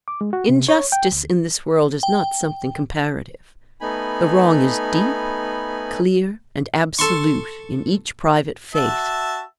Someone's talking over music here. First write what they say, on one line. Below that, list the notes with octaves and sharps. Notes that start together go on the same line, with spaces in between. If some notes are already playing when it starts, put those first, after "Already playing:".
Injustice in this world is not something comparative; the wrong is deep, clear, and absolute in each private fate.
D6
G#3
F#4
C3
C#5
G5
D2
G5
A3 B3 D#4 G#5 B5
A4 C6 C#6
F#4 E5 A5